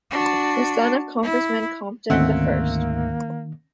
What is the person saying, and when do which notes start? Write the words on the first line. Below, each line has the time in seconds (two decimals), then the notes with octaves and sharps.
The son of Congressman Compton the First.
0.11 D4 F#4
1.23 E4
2.10 D2 G#2 D#3 A#3 C4 C#4 E5 F#5